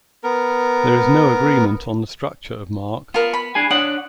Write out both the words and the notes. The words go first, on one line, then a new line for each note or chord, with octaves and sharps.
There is no agreement on the structure of Mark.
B3 A#4
B3 F4 A#4
B5
D4 G#4 G#5
D4 C#5 F#5 D#6